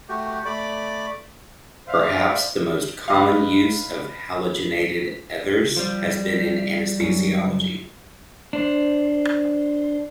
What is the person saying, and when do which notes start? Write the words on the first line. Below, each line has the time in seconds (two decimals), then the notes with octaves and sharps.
Perhaps the most common use of halogenated ethers has been in anesthesiology.
0.09 A3 F#4 G4
0.45 A3 D5 B5 D6
1.88 C5 D5 E5 F5
3.08 B4 D#5 F5
5.77 F3 G3
7.00 F#2 C#7
8.53 D4 C5